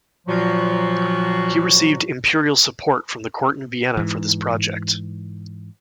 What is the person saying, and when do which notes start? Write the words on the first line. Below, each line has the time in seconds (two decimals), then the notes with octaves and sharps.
He received imperial support from the court in Vienna for this project.
0.27 A#2 F3 F#3 F#4
3.97 G#2 E3